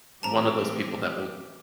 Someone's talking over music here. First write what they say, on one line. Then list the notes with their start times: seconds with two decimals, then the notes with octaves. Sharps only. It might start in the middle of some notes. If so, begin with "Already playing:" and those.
one of those people that will
0.23 A2 E3 C4 G4 A5 A#5